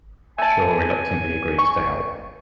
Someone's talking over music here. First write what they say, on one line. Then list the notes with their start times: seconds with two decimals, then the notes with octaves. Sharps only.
Shaw reluctantly agrees to help.
0.38 A3 G#5 A5
1.58 C#6